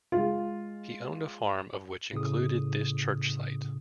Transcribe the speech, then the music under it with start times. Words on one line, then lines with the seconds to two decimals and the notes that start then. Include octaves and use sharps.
He owned a farm of which included this church site.
0.12 G#3 F4
2.13 A2 C#3 D#6